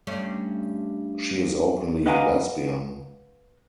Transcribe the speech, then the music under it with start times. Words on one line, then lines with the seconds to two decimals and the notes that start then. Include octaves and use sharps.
She is openly lesbian.
0.07 G2 A3 C#4
2.06 B4 D#5 F5 F#5 G#5 A#5